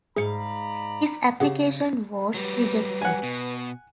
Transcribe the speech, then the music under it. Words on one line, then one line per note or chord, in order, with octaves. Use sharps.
His application was rejected.
G#2 G#4 D5 F5 A#5 B5 C#7
C#3 G4 G#4 F#5
F#3 G3 B4
F#5 G#5
B2